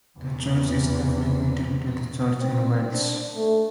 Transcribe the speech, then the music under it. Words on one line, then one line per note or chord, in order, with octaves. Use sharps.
The church is affiliated to the Church in Wales.
E2 C3
C4
D4
A3